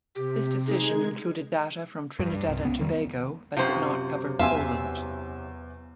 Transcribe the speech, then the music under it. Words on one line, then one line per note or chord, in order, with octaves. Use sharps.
This decision included data from Trinidad and Tobago but did not cover Poland.
C3 G4
G#3 D#4 G#4 G#6
G2
C2
B3 C#4
F2 D#3 G3
F#2 C3 F4 C5
E2 E5 F5 G#5 C6 E6